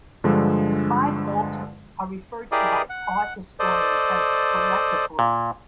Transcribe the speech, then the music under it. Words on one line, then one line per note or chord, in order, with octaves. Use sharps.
The five altars are referred to by art historians as the "Leka group".
G2 D3 F3 G#3
E4 G4 G#4 A#4 D5 D#5
F#5
A4 C5 D5 D#5
A#2